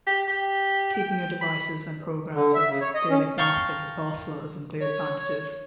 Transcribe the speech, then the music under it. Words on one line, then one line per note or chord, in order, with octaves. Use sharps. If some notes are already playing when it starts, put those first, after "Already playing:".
Keeping your devices and programs as data agnostic as possible has some clear advantages.
G4
G4
G5
B5
D3
E5
C#3
C#5
D#5
C#4
F5 G5 A5 A#5 C6 C#6
C#5